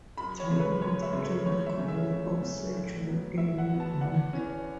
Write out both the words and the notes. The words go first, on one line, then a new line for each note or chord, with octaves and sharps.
Tilley later joined the government of Sir John A. Macdonald.
F#2 B5
C#5
C#3 A3
B4
F#2 C#5
E5
C#3 A3
C#5
C#2 C#5
E5
C#3 A3 C#4
E5
C#2
C#3 A3 C#4
A2
F#3 B3
A2 E5
F#5
F#3
B3
A5
E2 F#5
E3 C#4